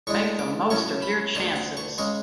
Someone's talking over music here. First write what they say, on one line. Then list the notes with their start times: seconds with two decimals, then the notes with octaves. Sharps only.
Make the most of your chances.
0.07 A2 G#3 D4 C#6
0.39 D6
0.70 A2 F#3 C#4 C#6
1.02 B5
1.35 D2 D3 A3 A5
1.56 F#5
1.77 C#6
1.98 C#3 G#3 C#6